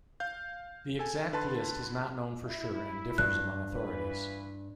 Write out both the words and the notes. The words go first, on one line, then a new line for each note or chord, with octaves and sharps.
The exact list is not known for sure and differs among authorities.
F5 G6
A4 G#5
D3 B4 A5 C6
E4
G2 F#6
E3 F4 B4